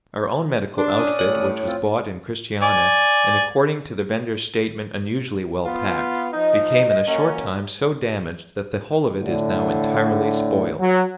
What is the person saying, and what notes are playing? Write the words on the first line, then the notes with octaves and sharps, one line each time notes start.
Our own medical outfit, which was bought in Christiania, and according to the vendor's statement unusually well packed, became in a short time so damaged that the whole of it is now entirely spoilt.
D4 C6 D6
C#4 D5 D#6
A2 C#5
C4 F4
D5 G#5
B3 F4
F3 D#4 D#5
F#3 A#3 C#4
A2 D3
F#3